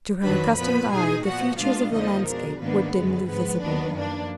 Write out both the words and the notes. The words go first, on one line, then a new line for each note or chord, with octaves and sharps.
To her accustomed eye, the features of the landscape were dimly visible.
F2 D#3 F#3 D4 B4 B5
A#2 F3 B3 B4 B5
B2 G#3 D#4 G#4 G#5
A#2 F3 B3 F#4 F#5
A#2 G#3 B3 D4 F4 F5
F2 D3 F3 A#3 D#4 D#5
B2 G#3 D4 A#4
G#2 D#3 A#3 B3 D4 B4
F#2 D3 F3 G#3
G#2 F3 G#3 B3 B4
D#2 D#3 F#3 B3 D4
F#2 F3 A#3 D4